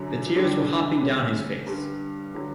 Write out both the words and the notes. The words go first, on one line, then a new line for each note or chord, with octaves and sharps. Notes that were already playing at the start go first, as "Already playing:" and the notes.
The tears were hopping down his face.
Already playing: F#2 D3 F#3
D3 G3 D4 G4 D5
D3 G3 C#4
G2 D3 G3
D3 F#3